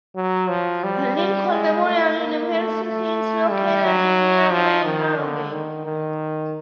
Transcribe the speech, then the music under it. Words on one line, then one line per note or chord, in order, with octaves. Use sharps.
Lincoln Memorial University is located in nearby Harrogate.
F#3
F3
G3
G3
G#3
A3
A#3
A3
A3
G3
F#3
F3
D#3
D3
D#3
D#3